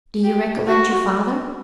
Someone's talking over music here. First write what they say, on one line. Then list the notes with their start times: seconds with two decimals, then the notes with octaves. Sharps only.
"Do you recollect your father?"
0.23 G4
0.67 F#4